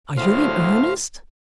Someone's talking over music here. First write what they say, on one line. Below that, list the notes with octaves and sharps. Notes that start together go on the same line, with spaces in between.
"Are you in earnest?"
D2 A2 C5 F5